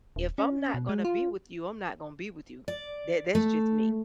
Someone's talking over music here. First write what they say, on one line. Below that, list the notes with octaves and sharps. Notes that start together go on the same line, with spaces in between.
if I'm not gonna be with you, I'm not gon' be with you. That that's just me,
D#1
C#4
B2
G#3
F4
D5
A3